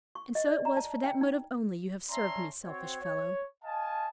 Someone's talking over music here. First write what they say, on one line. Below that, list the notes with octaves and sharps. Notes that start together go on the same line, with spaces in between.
"And so it was for that motive only you have served me; selfish fellow!"
C#6
D#5
D5
A#5
A5
G5
D#4
C#4 D5 E5 A5 A#5 C6
C4 F#4 C#5
C#5
D#5 F5 G#5 A5